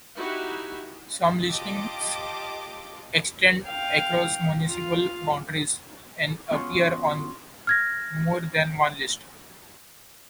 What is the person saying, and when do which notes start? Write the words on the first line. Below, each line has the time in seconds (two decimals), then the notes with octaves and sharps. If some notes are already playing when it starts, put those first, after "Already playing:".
Some listings extend across municipal boundaries, and appear on more than one list.
0.18 D#4 E4 F#4 G4
1.49 F4 G4 D#5 A5 D6
3.67 F5 G5
4.67 F4 F5
6.51 B3 C#4 F4 F#4 G#4 C#5
7.67 F6 G#6 A#6